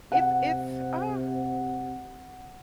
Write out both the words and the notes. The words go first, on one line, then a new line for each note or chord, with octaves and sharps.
it's it's, uh
C3 F#5